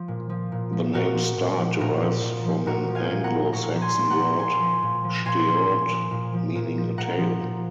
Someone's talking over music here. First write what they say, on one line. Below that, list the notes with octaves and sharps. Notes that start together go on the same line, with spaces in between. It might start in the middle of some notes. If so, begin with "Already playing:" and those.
The name "Start" derives from an Anglo-Saxon word "steort", meaning a tail.
Already playing: F3
A#2
F3
A#2
F3
A#2 F#4 A#4
F3
A#2
F3
A#2 F#4 A#4
F3
A#2
F3
A#2 F#4 A#4
F3
F5 G#5
A#2
F#5 A#5
F3
A#2 A#5 C#6
F3
G#5 C6
A#2
F#5 A#5
F3
A#2 G#5 C6
F3
A#2
F3
A#2 G#5 C6
F3
A#2
F3
A#2
F3
A#2
F3
A#2 F#5 A#5
F3
A#2